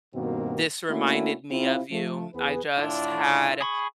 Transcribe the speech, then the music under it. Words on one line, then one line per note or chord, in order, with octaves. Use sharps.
this reminded me of you." I just had
G2 B2 D#3 A#3 C4 F#4
A3 A#3 C#4 D4 E4 F#4
C3 E4 F4
F3 A3
E2 B3 G#4 B4
A2 D3 D4 E4 F4
G#4 B5 C#6